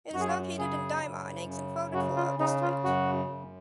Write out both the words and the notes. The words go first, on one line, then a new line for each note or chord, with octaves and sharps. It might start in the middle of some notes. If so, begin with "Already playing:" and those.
It is located in Dimar, an ancient Fouta Toro district.
F#2 F#4
G#4
F#4
C#3 G#4
F#2
C#3
C#3 F#4
F4
C#3 D#4
F4
F#2 F#4
F#2